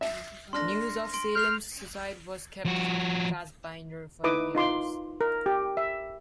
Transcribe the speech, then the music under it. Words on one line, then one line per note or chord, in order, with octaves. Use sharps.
News of Salem's suicide was kept from Fassbinder for years.
E5
D4 C6 F6 A#6
C6 D7
F6 G6 C7 F7
F3 F#4
D#4 E4 B4 D6 D#6
D#4 F4 C6 D6
A#4
G4
E5